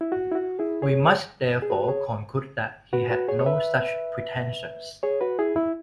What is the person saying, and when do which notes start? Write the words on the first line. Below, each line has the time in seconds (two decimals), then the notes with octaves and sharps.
We must therefore conclude that he had no such pretensions.
0.01 E4
0.12 F#4
0.32 E4
0.35 F#4
0.59 E4 G#4
0.82 G#4 C#5
1.62 G#4
1.70 F#4 B4
1.83 B4
1.87 G#4 C#5
2.93 F#4 B4
3.10 F#4 B4
3.28 G#4 C#5
3.39 C#5
3.46 B4 E5
5.03 G#4 C#5
5.21 F#4 B4
5.39 E4 G#4
5.56 E4